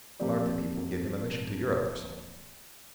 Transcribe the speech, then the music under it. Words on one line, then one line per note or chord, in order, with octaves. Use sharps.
Marta people give him a mission to Europe, or something?
F3 A#3 C4 G4 D5